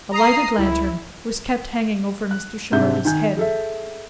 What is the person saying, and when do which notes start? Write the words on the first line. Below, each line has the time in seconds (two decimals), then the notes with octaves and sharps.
A lighted lantern was kept hanging over Mr. Shimerda's head.
0.11 A#5 D#6 C7
0.57 C#2 E4
2.31 F#6
2.72 G#2 C3 G#3 D4 E5 G6
3.05 D#3 G#5 G6
3.37 G#4 A4 E5